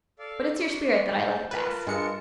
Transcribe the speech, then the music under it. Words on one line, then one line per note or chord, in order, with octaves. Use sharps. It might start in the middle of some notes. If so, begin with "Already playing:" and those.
But it's your spirit that I like best.
A4 D5 F5
D4 C#6
C5 A5
F4 A#4 B4 A5
G2 G#3 C#7